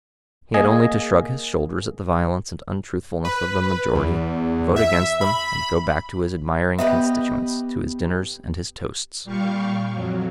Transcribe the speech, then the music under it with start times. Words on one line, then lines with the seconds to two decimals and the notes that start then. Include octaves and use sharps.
He had only to shrug his shoulders at the violence and untruthfulness of the majority, vote against them, and go back to his admiring constituents, to his dinners and his toasts.
0.54 A#3 G#4 D#5 G#5
3.25 B4
3.95 E2
4.76 E5
5.21 B5
6.79 B3 G4 B4 D#5 E5 B5
9.24 A#2 G3 G4 F5 C#6
9.92 F2 F#3